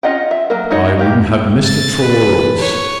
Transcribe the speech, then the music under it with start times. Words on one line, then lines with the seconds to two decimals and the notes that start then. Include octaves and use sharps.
"I wouldn't have missed it for worlds."
0.03 C#4 F4 D#5 F#5 G5
0.31 E5
0.50 F#3 A#3 A#4
0.71 G#3 D#4 F#4 C#5 D#5
0.99 A#3 G4
1.65 A6
2.01 B4
2.58 C#5